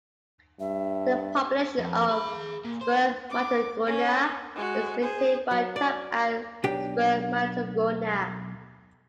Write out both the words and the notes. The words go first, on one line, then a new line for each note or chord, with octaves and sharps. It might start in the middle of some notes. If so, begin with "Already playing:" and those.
The population of spermatogonia is maintained by "type Ad spermatogonia".
G2 E5
F2
G#4 B5
A#2
C5
D6
C#4
G#3 F#4
G#4 C5
F#3
D5
B1 D4 G4 G5